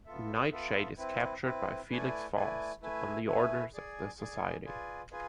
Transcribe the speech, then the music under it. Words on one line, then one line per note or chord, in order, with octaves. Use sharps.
Nightshade is captured by Felix Faust on the orders of the Society.
B3 F4 A4 E5
B3 F4 A4 E5
C4 E4 B4
C4 E4 B4
A3 E4 B4 D5 G#5
A3 E4 B4 D5 G#5
A3 E4 B4 E5 G#5
A3 E4 B4 E5 G#5
G#4 D5 G#5
G#4 D5 G#5
F4 G#4 B4 D5 G#5
F4 G#4 B4 G#5